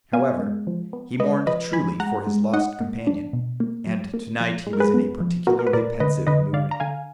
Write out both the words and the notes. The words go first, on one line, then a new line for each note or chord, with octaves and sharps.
However, he mourned truly for his lost companion, and to-night he was in a particularly pensive mood.
B3 F5 G#5
G#3
F3
B3
G#3 B4 D#5
F3 B4 D#5
F3 G#5 B5
G#3 F#5 A#5
G#3
D#4 D#5 F#5
A#3
D4
B2
A#3
F#3
A#3
F3
G#3
A#4
G#4 B4
B3
F3
B3 F#4 A#4
A#4
B4
A#2 A#4 D5
D3 B4 D#5
D3 B4 D#5
D3 D5 F5
A#5
D3 F5 G#5